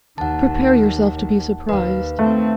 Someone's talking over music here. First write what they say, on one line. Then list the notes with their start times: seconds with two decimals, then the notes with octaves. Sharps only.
Prepare yourself to be surprised.
0.18 D#2 D#3 F#5 A5
1.69 D#2 B4 F5
2.19 D#3 A3 C4